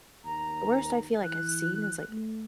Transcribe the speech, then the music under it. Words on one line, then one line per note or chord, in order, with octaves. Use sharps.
the worst I feel, like, I've seen is, like,
D#2 A#5
E3 F#6
A3